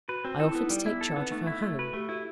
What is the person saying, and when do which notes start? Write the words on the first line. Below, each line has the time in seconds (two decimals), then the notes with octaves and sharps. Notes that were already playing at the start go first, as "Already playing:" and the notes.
I offered to take charge of her home.
0.08 F#4 B4
0.25 C4 F#4
0.40 E4 A4
0.52 B3 E4
0.63 D#4
0.70 G3
0.86 B3 E4
1.01 A4
1.09 D#4
1.16 B3 C4
1.32 A3 D#4
1.47 E4
1.62 A3
1.79 F#4 B4
1.93 A3 G4
2.09 E4 F#4